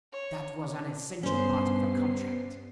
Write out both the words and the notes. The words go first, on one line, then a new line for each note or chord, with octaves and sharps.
That was an essential part of the contract.
C#5
G2 B3 C#4 C5 C7